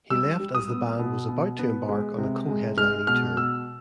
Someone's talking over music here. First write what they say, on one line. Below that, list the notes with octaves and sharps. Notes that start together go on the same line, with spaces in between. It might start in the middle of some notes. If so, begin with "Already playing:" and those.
He left as the band was about to embark on a co-headlining tour.
G3 E6
G3
D#6
B3
B2
B2
B3
G#3
C3
G#3
G#3 F6
B2 F6
B2 E6